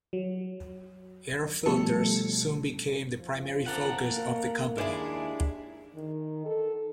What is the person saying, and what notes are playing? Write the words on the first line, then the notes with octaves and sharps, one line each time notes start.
Air filters soon became the primary focus of the company.
F#3
B2 F3 G3 A3 A4 C#7
F3
A4 A#4 F#5
A#3
D#2 G#3 D4 E4 G#4
D#3
A4